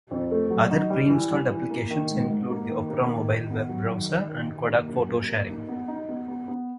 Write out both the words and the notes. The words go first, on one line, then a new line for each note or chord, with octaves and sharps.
Other pre-installed applications include the Opera Mobile web browser and Kodak Photo Sharing.
F2
A3
F#3
D#4
G3
E3
G3
E3
A#3
D#3
G#2
G#2
A#3
D#3
A#3
D#3
D#3
B3
F#3
D#3
D#3
D#3
D#3
A#3
F#2
A#3
A#3
D#4
B3
D#4
B3
B3
B3